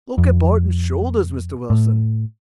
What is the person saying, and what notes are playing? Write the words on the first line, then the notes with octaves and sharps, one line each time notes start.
"Look at Barton's shoulders, Mr. Wilson."
F2
A2